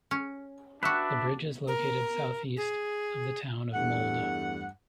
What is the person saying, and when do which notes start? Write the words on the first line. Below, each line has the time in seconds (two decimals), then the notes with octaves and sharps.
The bridge is located southeast of the town of Molde.
0.11 C#4
0.83 D4 F#4 G4 B4 E5
1.68 A#4
2.57 G#4
3.73 E2 G2 A3 F#5